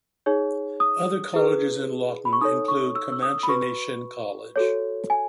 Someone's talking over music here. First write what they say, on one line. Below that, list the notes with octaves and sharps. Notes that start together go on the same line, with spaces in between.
Other colleges in Lawton include Comanche Nation College.
D#4 G#4 C#5
D#6
E4 G#4 B4
B5
C#6
D#4 A4 C#5 D#6
C#6
E6
E6
D#6
B5
F#4 B4 C#6
F#4 A4 C#5
G#5